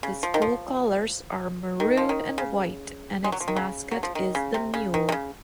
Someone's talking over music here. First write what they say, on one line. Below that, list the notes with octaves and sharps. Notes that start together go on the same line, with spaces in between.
The school colors are maroon and white and its mascot is the mule.
C#3
F3
D#3
F3
D#3
F3
D#3
C#3
G#3
F#3
F3
D#3
C#3
F#3
F3
D#3
C#3
C3
C#3
D#3
C3
C#3